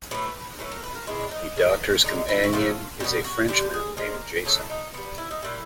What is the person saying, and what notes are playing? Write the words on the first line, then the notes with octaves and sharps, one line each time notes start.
The Doctor's companion is a Frenchman named Jason.
A2 F#3 A3 B4
A2 F#3 A3 B4
A#4
B4
A#4
B2 G#3 E4
D4
D#4
C#3 F#3 A3
D3 F3 G#3 D#4
E4
F#4
C#3 F#3 A3 F4
B2 G3 F#4
F#4
D3 G3 G4
G#4
D3 F3 G#3 A#4
C#3 F#3 A3 A4
E4
D#4
D3 G3 B3
E4
D#4
A#2 G3 E4